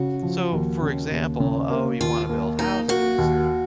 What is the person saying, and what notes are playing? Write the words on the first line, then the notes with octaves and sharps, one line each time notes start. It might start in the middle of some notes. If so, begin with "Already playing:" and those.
So, for example, "Oh, you wanna build houses,
Already playing: C#3 F#4
F3
D#2
C#3
D#2
C#3
A#3
D#2 F4
A#3
A#3 D#4
A#3 F#4
D#2